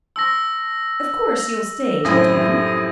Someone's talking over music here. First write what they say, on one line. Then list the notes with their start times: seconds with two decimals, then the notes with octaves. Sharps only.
Of course you'll stay, gentlemen?
0.16 A5 C6 C#6 E6 A#6
2.05 F#2 A2 C3 F3 G3 C#4 D#6 A#6